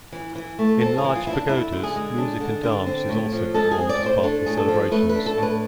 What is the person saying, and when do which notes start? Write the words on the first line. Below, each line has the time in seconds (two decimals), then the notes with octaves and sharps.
In large pagodas music and dance is also performed as part of the celebrations.
0.12 E3
0.35 E3
0.59 A3
0.81 C4 A4
0.98 G#4
1.04 E3
1.15 F4
1.27 E3 E4
1.33 D4
1.49 D3 E4
1.72 D3
1.83 G#4
1.96 G#3
2.18 D4
2.40 D3
2.63 D3
2.86 C4
3.09 A2
3.32 F3
3.54 G#3 A4
3.71 G#4
3.78 C4
3.89 D5
4.00 A2
4.06 C5
4.23 D4 A4
4.46 A2 G#4
4.57 A4
4.68 F3
4.91 A3 B4
5.09 B4
5.15 D4
5.26 A4
5.38 A2 B4